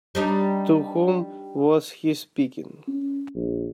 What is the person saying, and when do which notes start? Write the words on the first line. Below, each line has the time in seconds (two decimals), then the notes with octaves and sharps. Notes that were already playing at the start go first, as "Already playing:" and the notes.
To whom was he speaking?
0.15 G3 D4 D#4
2.88 C#4
3.35 A#1